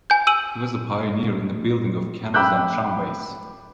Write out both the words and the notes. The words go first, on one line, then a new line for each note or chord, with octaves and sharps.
He was a pioneer in the building of canals and tramways.
G#5 G6
E6 D#7 F#7
G5 B5 D6 E6 F#6 G6